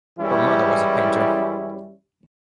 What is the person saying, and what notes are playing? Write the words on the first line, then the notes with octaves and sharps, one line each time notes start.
Her mother was a painter.
F#2 E3 G3 G#3 C#4 E4